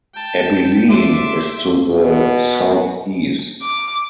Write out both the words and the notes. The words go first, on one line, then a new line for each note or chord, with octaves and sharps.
Abilene is to the southeast.
G5 A5
D4 E5 C6 D6
B2
D6